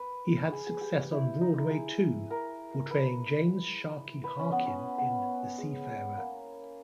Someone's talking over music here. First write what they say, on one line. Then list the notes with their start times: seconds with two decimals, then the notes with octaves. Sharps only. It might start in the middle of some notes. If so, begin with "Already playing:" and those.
He had success on Broadway too, portraying James "Sharky" Harkin in "The Seafarer".
Already playing: B4
0.52 G#4
0.67 G#4
0.81 G4
1.12 E4
1.41 D#4
1.56 E4
1.71 G#4
2.30 A#4
2.91 B4
4.24 B4
4.39 C#4
4.52 B3
4.66 C#4
4.98 B3
5.58 G#3
6.17 A#3